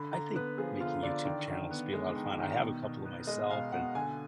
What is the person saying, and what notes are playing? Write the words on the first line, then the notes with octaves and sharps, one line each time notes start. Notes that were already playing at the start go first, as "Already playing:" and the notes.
I think making YouTube channels be a lotta fun. I have a couple of myself, and
Already playing: D3 B5
D3 A#5
B3 B4
F3 G#4
D3 F4
D3 D5
D#3 D5
D#3
B3
G#3
D#3
D#3
B2
B2
B3
G#3 D#5
B2 F5
B2 F#5
D3 G#5